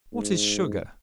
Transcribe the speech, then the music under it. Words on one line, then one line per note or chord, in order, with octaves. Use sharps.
What is Sugar?
G#2